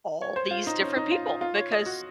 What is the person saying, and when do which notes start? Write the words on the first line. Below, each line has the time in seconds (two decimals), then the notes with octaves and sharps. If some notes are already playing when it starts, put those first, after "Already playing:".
all these different people, because
0.22 C#5
0.36 C5
0.51 F4
0.67 D#4
0.81 C#4
0.97 D#4
1.12 F4
1.26 F4
1.41 F4
1.56 C#5
1.72 D#5
1.86 F#4